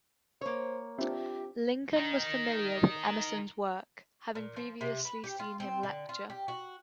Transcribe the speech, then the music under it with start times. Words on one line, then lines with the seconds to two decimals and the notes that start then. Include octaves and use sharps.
Lincoln was familiar with Emerson's work, having previously seen him lecture.
0.41 A#3 C5 C#5
0.99 C4 D4 F4 G4 E5
1.97 D#3 D#4
4.35 A#2
4.56 F3
4.81 C3
5.05 B4
5.24 G4
5.39 F4
5.60 C4
5.83 D3
6.09 F4
6.30 G4
6.48 F#4